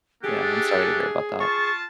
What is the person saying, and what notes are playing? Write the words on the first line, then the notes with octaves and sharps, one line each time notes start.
Yeah. I'm sorry to hear about that.
A3 D4 G4 G#4 F#5
F4 A5 C#6